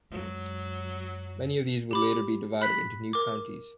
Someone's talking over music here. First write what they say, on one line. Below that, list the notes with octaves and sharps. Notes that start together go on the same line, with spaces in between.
Many of these would later be divided into new counties.
F#2 F#3 G#3
G4 B5 D6
B5 F#6 B6
A#4 D6